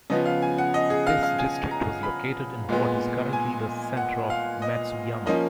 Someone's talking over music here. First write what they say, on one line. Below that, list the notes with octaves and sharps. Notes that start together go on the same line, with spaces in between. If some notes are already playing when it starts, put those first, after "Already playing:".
This district was located in what is currently the center of Matsuyama.
C#3 F3 B3 D#5
F5
G#5
F#5
D#5
G#4
F5
F5
G#5
A#5
B5
A#2 G#3 B3
G#5
F#5
F5
D#5
F3 A#3 C#4 D#5